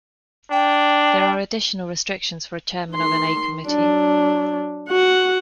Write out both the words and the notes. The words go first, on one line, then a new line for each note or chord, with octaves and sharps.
There are additional restrictions for a chairman of an A Committee.
D4 G5
D#3 C6
F#3 D4
F#4 F#5